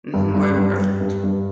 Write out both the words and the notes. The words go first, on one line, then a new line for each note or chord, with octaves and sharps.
Mhm, we're imperfect.
G2
G2
G2
G2
G2
G2